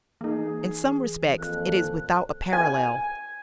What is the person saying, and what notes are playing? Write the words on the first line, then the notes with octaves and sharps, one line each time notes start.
In some respects it is without a parallel.
E3 A#3 D#4 G#4
F2 A#2 A4 F#6
G#5